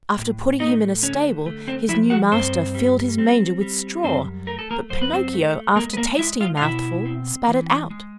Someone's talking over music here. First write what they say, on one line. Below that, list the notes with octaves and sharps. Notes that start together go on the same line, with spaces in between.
After putting him in a stable, his new master filled his manger with straw, but Pinocchio, after tasting a mouthful, spat it out.
A2
A3 D#4 D#5
D3 C#4 C#5
A3
C4 C5
F3 E4 E5
F#4 F#5
G2 C4 C5
G3
C4
G3
F#2 C4 C5
A3 A#4
A4
A#3 A#4
F#2 C5
B4
C4 C5
A3
G#3 A#3 A#4
B4
A#3 A#4
G#3 E4 E5
F4 F5
F5
B2 E4 E5
C4
E3
G#3